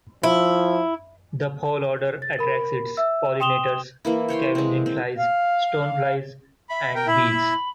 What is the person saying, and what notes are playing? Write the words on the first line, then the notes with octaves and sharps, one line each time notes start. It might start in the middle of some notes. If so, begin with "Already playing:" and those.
The foul odor attracts its pollinators, scavenging flies, stoneflies, and bees.
F3 E4
A6
A#4 B5
E5 E6
G5 C6 D#6 E7 F7 G7
E3 A#3 E4
C5 C#5 G5 C6
G#3 C4
C4
F5
E5 B5
A#4 G5
E4 E5 B5